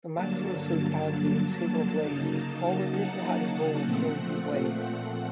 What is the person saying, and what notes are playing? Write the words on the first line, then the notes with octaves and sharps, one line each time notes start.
Thomason saw time during several plays, although never had a ball thrown his way.
G2 D3 F#3 A#3 A5
C#3 F#3 A#3 D#4
F#5
A#2 F3 A3 C4
F#5